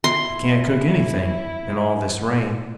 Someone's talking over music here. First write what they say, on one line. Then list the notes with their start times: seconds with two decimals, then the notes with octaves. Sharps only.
We can't cook anythin' in all this rain.
0.04 E4 C6